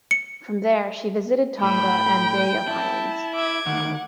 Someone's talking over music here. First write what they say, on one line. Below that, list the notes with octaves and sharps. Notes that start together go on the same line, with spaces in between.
From there she visited Tonga and Bay of Islands.
C#7
A2 G5 B5
E4 A5
E5 D6 G#6
D2 D#3 F#5